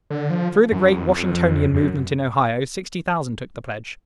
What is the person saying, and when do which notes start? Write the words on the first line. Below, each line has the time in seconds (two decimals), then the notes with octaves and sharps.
Through the great Washingtonian movement in Ohio, sixty thousand took the pledge.
0.10 D3
0.30 F3
0.72 F#2
0.91 F2
1.06 E2
1.11 F2
1.74 F#2